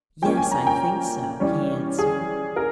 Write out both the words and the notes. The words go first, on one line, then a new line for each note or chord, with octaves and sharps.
"Yes, I think so," he answered.
F3 A#3 C#4 G5
G#5
A#5
G5
E3 G3 C#4
G#4
A#4